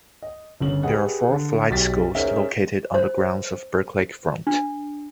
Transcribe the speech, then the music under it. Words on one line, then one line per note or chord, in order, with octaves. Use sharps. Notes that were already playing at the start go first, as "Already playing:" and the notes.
There are four flight schools located on the grounds of Burke Lakefront.
D#5
G1 C#3 F#7
G4 G#4 B4 D#5 F#5
D3
B1 F#4 G4 A6 B6
C#4 D#4 G#4 A#4 C5 E5
C5
D4